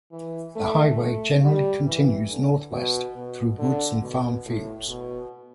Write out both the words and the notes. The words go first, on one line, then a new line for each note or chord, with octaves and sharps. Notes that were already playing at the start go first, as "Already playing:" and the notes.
The highway generally continues northwest through woods and farm fields.
E3
A3
A3
G3
E3
D3
B2
B2
D3
B2
A2
B2